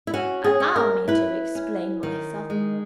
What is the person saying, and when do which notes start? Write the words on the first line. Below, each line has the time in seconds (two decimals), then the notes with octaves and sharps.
"Allow me to explain myself."
0.07 E4
0.14 C#4 F#4
0.44 G#4
0.60 C#4
0.76 A#4
1.08 E4 B4
1.55 C#4
2.03 D#3
2.50 G#3